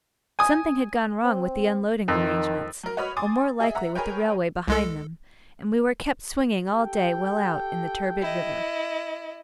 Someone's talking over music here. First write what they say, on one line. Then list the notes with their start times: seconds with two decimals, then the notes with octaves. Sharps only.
Something had gone wrong with the unloading arrangements, or more likely with the railway behind them, and we were kept swinging all day well out in the turbid river.
0.39 G#5 D#6
1.25 C4
2.08 F2 D#3
2.83 F#3 A#4
2.97 F#4 B4 C#5 D#5 B5 F6
3.16 G#5 C6 D6 D#6 A6
3.60 G#4 D#5 E5
3.75 E5 F#5 A#5
3.95 G#4 A#4 B4 C#5 G5
4.68 C2 G#3 A4
6.73 G4 A4 G5
8.22 E4 D#5